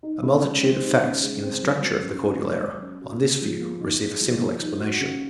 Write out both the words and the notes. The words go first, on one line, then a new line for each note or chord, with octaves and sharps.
A multitude of facts in the structure of the Cordillera, on this view receive a simple explanation.
D#4
C#3
G#3
C4
D#4
C#3
G#3
C4
F#3
F#3
C#4
F#4
F#3
F#3
C#4
F#4
G#4
F3
A#3
D#4
G#4
F3
A#3
D#4
F#4
C#3